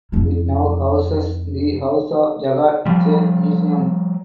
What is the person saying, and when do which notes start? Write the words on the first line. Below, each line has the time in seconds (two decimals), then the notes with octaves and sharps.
It now houses the House of Jagat Seth Museum.
0.12 F2 E4
2.86 F3 G3